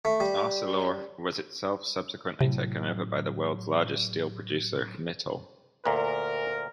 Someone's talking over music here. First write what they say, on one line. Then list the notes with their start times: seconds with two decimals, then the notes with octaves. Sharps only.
Arcelor was itself subsequently taken over by the world's largest steel producer, Mittal.
0.05 A3
0.20 G3
2.41 A2 C3 F#3
5.86 D2 A#2 A#4